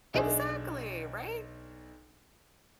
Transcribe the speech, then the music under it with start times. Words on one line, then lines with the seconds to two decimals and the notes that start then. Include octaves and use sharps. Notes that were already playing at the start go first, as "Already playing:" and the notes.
Exactly, right?
0.14 B1 D4 G#4 D#5 E5